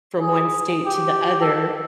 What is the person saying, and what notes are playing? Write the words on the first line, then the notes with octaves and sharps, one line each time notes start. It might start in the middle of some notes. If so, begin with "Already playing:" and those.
from one state to the other,
G#4
G4
A4